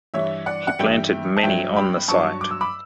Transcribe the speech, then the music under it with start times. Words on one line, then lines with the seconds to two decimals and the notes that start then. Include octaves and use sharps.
He planted many on the site.
0.14 G2 E3 G3 C#5 E5
0.46 D5 F#5
0.67 F#5
0.79 G2 E3 G3 E5 G5
1.37 A5
1.43 G2 F#3 E5 G5
1.76 G5 B5
2.08 G2 F#3 A5 C#6
2.41 D6
2.51 E6
2.61 B5 D6